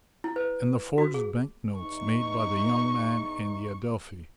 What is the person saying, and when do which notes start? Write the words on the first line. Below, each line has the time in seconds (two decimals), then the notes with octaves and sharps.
"And the forged banknotes made by the young man in the Adelphi?"
0.24 E4
0.36 B4
0.98 F#4
1.14 G#4
1.80 E2 D#4 C#6